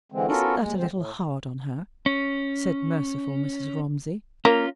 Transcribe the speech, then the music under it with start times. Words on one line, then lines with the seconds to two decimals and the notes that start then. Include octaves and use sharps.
"Isn't that a little hard on her?" said merciful Mrs. Romsey.
0.12 D3 E3 G#3 C4
0.27 B3 C#4 F4 F#4 A4 A#4
0.57 D#2 G#3
0.78 A#2 D3 G#3 C4 C5
0.89 A2
2.06 C#4
4.45 A#3 C#4 F4